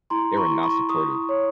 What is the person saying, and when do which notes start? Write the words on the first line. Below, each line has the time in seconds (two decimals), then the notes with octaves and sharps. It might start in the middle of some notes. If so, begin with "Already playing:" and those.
they were not supportive.
0.10 E4 A#5 C6
0.37 B5 C#6
0.50 E4
0.63 B5 C#6
0.89 E4 C#6 D#6
1.29 C#5